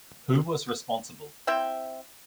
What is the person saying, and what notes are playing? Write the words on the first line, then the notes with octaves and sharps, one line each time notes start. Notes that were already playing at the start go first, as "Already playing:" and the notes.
Who was responsible?
C4 E4 E5 G5